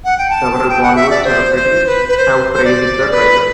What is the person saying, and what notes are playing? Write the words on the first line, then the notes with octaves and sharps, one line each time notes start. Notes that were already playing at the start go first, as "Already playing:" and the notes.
Several bollywood celebrities have praised the trailer.
F#5
G5
A5
G5
F#5
E5
D5
C5
C5
B4
B4
C5
C5
D5
B4